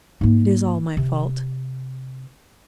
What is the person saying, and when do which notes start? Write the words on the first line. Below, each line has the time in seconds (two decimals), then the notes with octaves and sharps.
It is all my fault.
0.21 G#2 A#3
0.97 C3